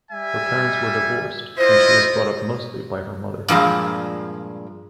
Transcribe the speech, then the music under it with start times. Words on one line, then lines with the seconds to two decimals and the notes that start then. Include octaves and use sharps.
Her parents were divorced, and she was brought up mostly by her mother.
0.12 G3 E5 G#5
1.58 E4 F4 C5 D#5
3.48 G2 A#2 F3 G#3